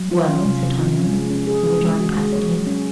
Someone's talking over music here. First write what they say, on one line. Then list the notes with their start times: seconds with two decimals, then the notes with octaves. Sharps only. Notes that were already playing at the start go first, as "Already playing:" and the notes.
"Well, citoyenne?" he rejoined placidly.
Already playing: F#3
0.11 F4
0.29 C#4
0.45 C3
0.62 C3
0.79 F3
0.96 C#4
1.14 G#3
1.31 C#4
1.47 G#4
1.64 G#4
1.81 G#3
1.99 F#4
2.15 G#3
2.33 C#5
2.50 F#3
2.67 C#4